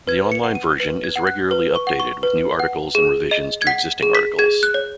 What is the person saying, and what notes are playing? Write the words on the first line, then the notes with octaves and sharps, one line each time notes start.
The online version is regularly updated with new articles and revisions to existing articles.
B4 G#6
C#7
F#5
D#7
B4 F#7
G#6
F#5
F#6
B4
C#6
F#5
C#6
B4
F#5
G#4
D#5
G#6
F#5 B6
G#4
B6
G#4 G#6
F#6
C#5